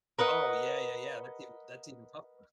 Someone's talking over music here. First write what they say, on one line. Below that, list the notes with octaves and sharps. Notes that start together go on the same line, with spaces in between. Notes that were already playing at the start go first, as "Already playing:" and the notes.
Oh, yeah, yeah, yeah, that's even that's even tougher.
A#4 B4 D#5 F#5